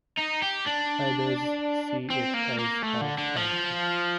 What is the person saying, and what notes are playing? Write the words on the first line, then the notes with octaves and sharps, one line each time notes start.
Others see it as half empty.
D#4
G4
D4
C4
A#3
A#3
A3
D3
D3
F3